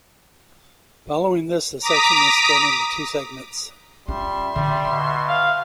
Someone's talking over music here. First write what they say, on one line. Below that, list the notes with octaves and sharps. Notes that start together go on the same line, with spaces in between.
Following this, the section was split into two segments.
A#5 D6 D#6 B6
G3 C#4 F4 E5 C6
D3 G3
B2
F5